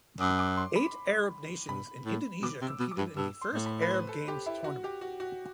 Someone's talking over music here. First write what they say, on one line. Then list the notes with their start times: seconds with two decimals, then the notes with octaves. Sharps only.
Eight Arab nations and Indonesia competed in the first Arab Games tournament.
0.20 F#2 D6
0.39 D6
0.57 C6
0.76 B5
1.69 G2 B5
2.05 A2
2.42 B2 D6
2.62 C3
2.68 E6
2.79 B2
2.91 D6
2.98 G2
3.17 G2 E6
3.41 C6
3.54 A2
3.66 B5
3.82 B4
3.90 C5
4.09 A4
4.28 G4
4.46 E4
4.64 F#4
4.84 G4
5.01 F#4
5.20 F#4